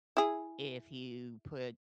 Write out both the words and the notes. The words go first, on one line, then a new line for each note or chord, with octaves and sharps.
if you put
E4 G#4